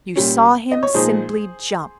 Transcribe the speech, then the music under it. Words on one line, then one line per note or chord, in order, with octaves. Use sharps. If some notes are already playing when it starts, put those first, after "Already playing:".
You saw him simply jump.
A#2 G3 C#4
D#5
C#5
A#2 F3 G#3 D#4 G#4 C5